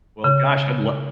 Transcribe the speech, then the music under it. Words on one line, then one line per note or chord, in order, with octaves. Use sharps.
well, gosh, I'd lo
C#3